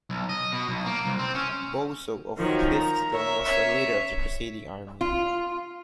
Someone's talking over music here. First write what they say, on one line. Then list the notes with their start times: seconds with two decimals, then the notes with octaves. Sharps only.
Boso of Vitzthum was the leader of the crusading army.
0.10 B1
0.29 D#5
0.52 B2
0.69 B1
0.86 A#3
1.06 C2
1.19 C4
1.35 C#4
2.37 D#3 F3 F#3
2.71 A#5
3.10 A#4 C#5 E5
3.44 C#4 C#5 E5
5.01 F4